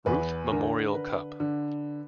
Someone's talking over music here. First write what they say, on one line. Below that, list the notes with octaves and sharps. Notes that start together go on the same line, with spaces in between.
Ruth Memorial Cup.
E2 B4
D3 A#4
D3 B4
D3